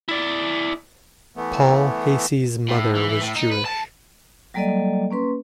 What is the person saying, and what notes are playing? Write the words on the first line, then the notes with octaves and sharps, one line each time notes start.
Paul Heyse's mother was Jewish.
E4 D5
E3 A3 B3
A2
E3
E3
A2
D#4
B4
A5
F#3 G3 A#3 A4 D5 D#5
A#3 C#4 B4 C6